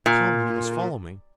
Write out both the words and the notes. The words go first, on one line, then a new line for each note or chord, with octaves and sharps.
"Come, you must follow me!"
A#2